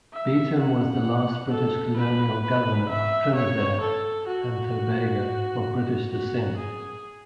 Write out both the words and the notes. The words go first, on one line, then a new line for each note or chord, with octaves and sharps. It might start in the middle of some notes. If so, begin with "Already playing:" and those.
Beetham was the last British colonial governor of Trinidad and Tobago of British descent.
E5
F#5
A4
B4
B4
E5
C#5
A4
F#4
F#4
G#4